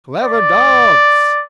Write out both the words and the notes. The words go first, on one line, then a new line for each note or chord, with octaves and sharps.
Clever dogs!
D5